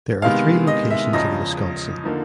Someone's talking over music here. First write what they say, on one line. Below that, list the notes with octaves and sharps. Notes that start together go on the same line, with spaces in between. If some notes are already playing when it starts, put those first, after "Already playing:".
There are three locations in Wisconsin.
C3 D#3 G#3 B3 F5
D#5
E5
E2 C#3 F3 D#5
D3 F3 A#3 D#4